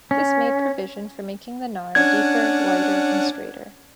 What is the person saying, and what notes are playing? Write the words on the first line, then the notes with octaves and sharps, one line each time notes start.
This made provision for making the Nar deeper, wider and straighter.
C#4
C#4 D4 F#5 G#6